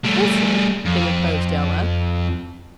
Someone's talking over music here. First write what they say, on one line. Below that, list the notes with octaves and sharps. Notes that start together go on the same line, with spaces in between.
"Is it?" interposed Ella.
G3 A3
F2